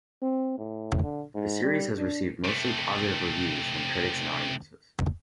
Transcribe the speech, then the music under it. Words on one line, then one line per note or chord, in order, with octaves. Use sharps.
The series has received mostly positive reviews from critics and audiences.
C4
A2
D3
G#2
G3
D4
C3 A3